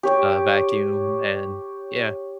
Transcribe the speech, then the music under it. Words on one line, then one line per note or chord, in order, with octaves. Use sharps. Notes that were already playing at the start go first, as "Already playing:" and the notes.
uh, vacuum, and yeah,
G4 C#5